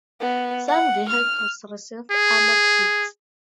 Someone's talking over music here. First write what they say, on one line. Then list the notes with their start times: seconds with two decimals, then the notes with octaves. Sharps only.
Some vehicles received armor kits.
0.21 B3
0.69 F#5
1.10 F6
2.11 G#4